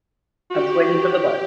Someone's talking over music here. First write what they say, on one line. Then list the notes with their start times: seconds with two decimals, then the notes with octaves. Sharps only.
I was waiting for the "but."
0.51 F#4 G4